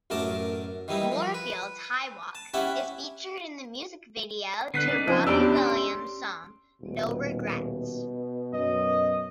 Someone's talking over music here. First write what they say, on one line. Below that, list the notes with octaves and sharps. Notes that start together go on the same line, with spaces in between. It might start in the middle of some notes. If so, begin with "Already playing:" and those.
Moorfields Highwalk is featured in the music video to Robbie Williams' song "No Regrets".
A1 F#2 A3 A#4 A5 D6
D#3 E3 G3 D#4 E4
F3
B4
A5
C#4 E4 G4 E5 F#5 B5
D3 B3 F#6 B6 C7
C#4 D#4 D5
F3 C4
E2 C#4 D4 G4 D5 E6
C6
D#1 B2
F#2 D#5